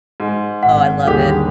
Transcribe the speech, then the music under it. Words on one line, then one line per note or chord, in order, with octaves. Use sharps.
Oh, I love it.
G#2
G#1 F#5
D#2 D3 G3 G4 G#4